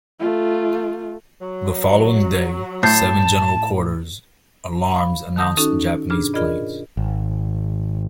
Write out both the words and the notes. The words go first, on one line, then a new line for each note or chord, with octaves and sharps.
The following day seven general quarters alarms announced Japanese planes.
A3 F4
F#3
A2 A5 G6 A6 C7
F5 B5
D#3 A5 D#6 G6 A#6
C#4 D#4 F#4 A4
G2 B2 D4 G#4 F6
F4 G#4 A#4 D5 D#5 B5
G#1